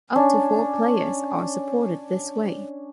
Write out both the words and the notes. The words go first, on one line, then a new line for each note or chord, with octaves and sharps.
Up to four players are supported this way.
C#4 D4